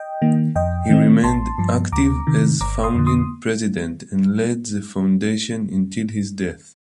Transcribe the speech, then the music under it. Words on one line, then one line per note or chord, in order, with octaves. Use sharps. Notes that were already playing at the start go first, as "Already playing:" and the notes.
He remained active as founding president and led the foundation until his death.
Already playing: D#5 G5
D#3 A#3
F2 D#5 G5
D#3 A3 C4
A1 A5 C6
G2 F3
D2 A#5 D6
C3 D#3
G1 A#5 D6
C6 D#6
F2 D3
C6 D#6